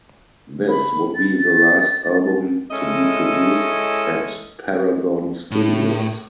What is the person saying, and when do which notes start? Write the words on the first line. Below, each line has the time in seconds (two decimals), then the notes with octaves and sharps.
This would be the last album to be produced at Paragon Studios.
0.70 B5
1.16 A6
2.71 G#3 C#4 E4 A4 D#5
5.51 A2